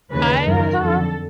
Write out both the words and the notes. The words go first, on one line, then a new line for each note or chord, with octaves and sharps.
I ha
D#2 C#3 E3 B4
F#2 D#3 A#4
F2 D3 A4